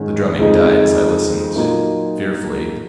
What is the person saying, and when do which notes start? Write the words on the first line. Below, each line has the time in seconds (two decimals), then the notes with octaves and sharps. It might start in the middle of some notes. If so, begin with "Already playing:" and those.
The drumming died as I listened--fearfully.
Already playing: G#2 D#3 G#3 C#4
0.39 F2 C#3 G#3 D#4
1.56 A#2 F#3 A#3 D#4